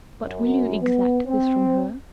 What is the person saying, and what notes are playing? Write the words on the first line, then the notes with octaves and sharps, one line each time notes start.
But will you exact this from her?
F#2
B3
C4